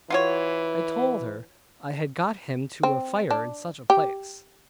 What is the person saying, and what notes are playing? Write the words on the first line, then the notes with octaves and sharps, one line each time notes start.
I told her I had got him to a fire in such a place.
E3 F4 F#4 C#5
C4
D4
G4